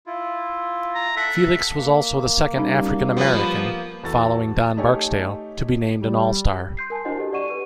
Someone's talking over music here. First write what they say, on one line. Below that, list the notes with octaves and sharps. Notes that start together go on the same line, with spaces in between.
Felix was also the second African-American, following Don Barksdale, to be named an All-Star.
E4 F4
A#5
A4 E5 F#5
A#3
G3 C#4 D#4
F3 B3
E2 E3 F#4 A4 A6
A3 D#4 G4 C#5 G#5
G3
C6 G6 C7
A#4 G#5 A5
D4 E4 F#4 C5 D#5 F#5
G4 A4 D#5
D5 D#5 F#5 C#6 D#7 E7
G4 B4 D#7